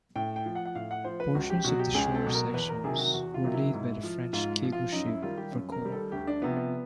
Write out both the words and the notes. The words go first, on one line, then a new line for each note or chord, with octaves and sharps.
Portions of the shore sections were laid by the French Cable Ship 'Vercors'.
A2 G5
G5
F3
F#5
F#5
A2 F5
F#5
F3 C5
B4
C#2 F#4
G4
B2 F#3 F#4
G4
C#2 G#4
A4
B2 F#3
A#4
E2 B4
A#4
C3 D#3 F#3 G#4
F#4
E2 F#4
F4
C3 D#3 F#3
E4
G#2
F3
G#2 F4
F3
F4
F#2 D#4
E4
D#3 G3 F4
G4
F#2
A#4
D#3 G3
A4
D2 G4
D4
C3 F3 B3
B3